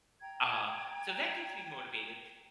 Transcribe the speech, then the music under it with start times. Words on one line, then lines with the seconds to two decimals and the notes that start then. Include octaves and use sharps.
Uh, so that keeps me motivated,
0.22 G5 A#5 G#6